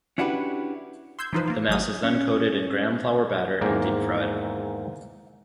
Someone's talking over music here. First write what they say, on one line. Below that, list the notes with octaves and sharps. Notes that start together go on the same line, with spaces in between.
The mass is then coated in gram flour batter and deep fried.
C#4 D4 E4 F#4 G4 B4
C6 E6 G6 G#6
E3 F3 D#4 F4 B4 C5
A#3 F4
G#1 F#3 D#6
C#4
E2 G#2 D#3 A#3 G5